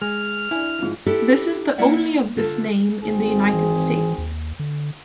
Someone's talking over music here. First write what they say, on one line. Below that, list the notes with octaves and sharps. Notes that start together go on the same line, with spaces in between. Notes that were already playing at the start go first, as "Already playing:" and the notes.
This is the only of this name in the United States.
G#3 F6
D4 E4 G#5
G#2 F3
D4 E4 G4 A4 E5
A#3 E4 D5 E5 F#5
D3 F4 A4
G#1 C4 G#4
E3
D#2
D3